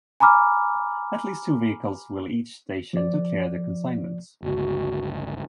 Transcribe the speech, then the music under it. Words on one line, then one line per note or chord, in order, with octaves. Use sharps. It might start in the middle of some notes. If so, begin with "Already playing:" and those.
At least two vehicles will each station to clear the consignments.
G#5 A#5 B5 D6 F6
F3 D5
G1 C#2 F#4